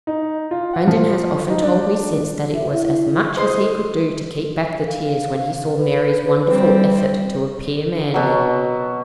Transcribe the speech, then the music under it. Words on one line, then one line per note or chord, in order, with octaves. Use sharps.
Brandon has often told me since that it was as much as he could do to keep back the tears when he saw Mary's wonderful effort to appear manly.
D#4
F4
F#5
F3
D#4
D4
E5
E4
G#4 C5 D#5 C6
A4
F5
B4
G3 C4
B2 F#3